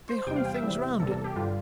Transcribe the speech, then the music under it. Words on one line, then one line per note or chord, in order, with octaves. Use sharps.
They hung things round it.
C5
E2 C3 G3 G5
F5
G5
E5
E2 C3 G3
E2 C3 G3 A4
A4
G4
G2 D3 G3 F4